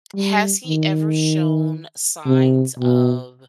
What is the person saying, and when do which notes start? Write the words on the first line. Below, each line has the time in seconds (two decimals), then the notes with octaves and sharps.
has he ever shown signs of,
0.14 G3
0.67 D#3
2.26 C3
2.79 B2